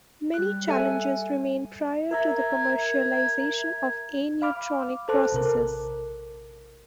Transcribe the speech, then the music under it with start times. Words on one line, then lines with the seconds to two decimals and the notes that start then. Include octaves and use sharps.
Many challenges remain prior to the commercialization of aneutronic processes.
0.34 G3 F#6
0.68 A4 E5 G#5
2.11 A#4 E5 A#5 G#6
4.42 F5 B5 D6 F6
5.09 A4 C5 A5 D6 F#6
5.32 A#1 C3 A#4